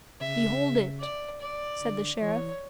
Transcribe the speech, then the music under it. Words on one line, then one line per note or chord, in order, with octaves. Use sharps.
"Behold it," said the sheriff.
C#3 E5
D5
D5
D3
E3 C#5